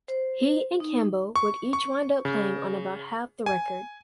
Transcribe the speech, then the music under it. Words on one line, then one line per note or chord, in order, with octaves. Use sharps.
He and Campbell would each wind up playing on about half the record.
C5
D#4
C#6
C#6
C#3
G#5